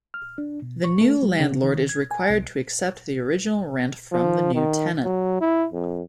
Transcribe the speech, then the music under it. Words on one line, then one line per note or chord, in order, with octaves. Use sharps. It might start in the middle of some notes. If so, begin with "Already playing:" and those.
The new landlord is required to accept the original rent from the new tenant.
F6
D4
B2
C#6
A3
G3
C#3
D#3
G#6
G#5
C2
F3
D#3
F#3
E4
F2